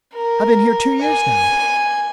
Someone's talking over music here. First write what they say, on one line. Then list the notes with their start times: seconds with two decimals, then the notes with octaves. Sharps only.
I've been here two years now.
0.15 A#4
1.02 G#5